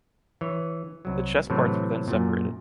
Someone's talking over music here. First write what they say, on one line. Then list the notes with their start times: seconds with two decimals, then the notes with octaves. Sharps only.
The chess parts were then separated.
0.41 E3 C#5
1.05 C2 F#3
1.50 A2 C3 E3 F#3
2.08 F#2 A#2